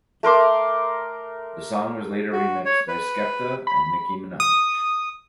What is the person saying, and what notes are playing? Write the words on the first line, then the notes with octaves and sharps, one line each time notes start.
The song was later remixed by Skepta and Nicki Minaj.
A3 A#4 C6 D6
F#4
C#5
B4
B5
D#6